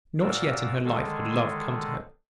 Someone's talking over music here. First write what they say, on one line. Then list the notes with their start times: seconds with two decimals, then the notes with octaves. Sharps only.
Not yet in her life had love come to her.
0.21 A#2 F#4 D5 F5 E6
0.85 D3 D#3 G#3 G#4 A4